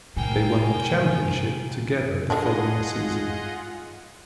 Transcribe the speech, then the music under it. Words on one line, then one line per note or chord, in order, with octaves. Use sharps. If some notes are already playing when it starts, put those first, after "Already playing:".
They won the championship together the following season.
A2 C3 A#3 G5 G#5
D3 G#3 D4 F4 G#4 D#5 F#5